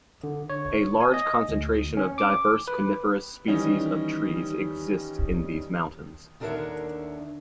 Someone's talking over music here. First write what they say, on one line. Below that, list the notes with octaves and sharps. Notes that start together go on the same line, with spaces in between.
A large concentration of diverse coniferous species of trees exists in these mountains.
D3
C#5
G#5
D#5
D2
C#4
D6
B4
D#3 E3 G3 C#4 D#4
D#2 D3 D4 A#4 C#5 E5